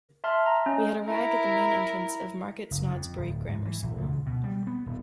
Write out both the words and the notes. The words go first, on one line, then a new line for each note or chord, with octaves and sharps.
We had arrived at the main entrance of Market Snodsbury Grammar School.
E5 A5 C6 F6
A#5
C#4 D#5
E4 A#4 A#5
F#1
F2
D1
G#2
E3
A#1
C#2
B2
G3
B3
D#1